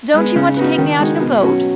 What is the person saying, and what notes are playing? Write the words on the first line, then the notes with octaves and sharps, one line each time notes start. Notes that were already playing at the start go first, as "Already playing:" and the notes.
"Don't you want to take me out in a boat?"
G#3 B3
C#3
B3 D#4 F#4
D#3
G#3 D#4 F#4
B2
F#3 C#4 F#4